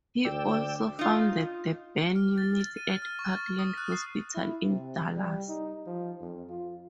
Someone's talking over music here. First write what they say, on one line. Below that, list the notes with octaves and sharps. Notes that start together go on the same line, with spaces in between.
He also founded the burn unit at Parkland hospital in Dallas.
D2 D5 G5 E6
D#4 F4
F6
A6
A6
D#7
F6
C#6
A6
D#6
F#6
C7
E4
C3
G3
D#4
F3
F2
F4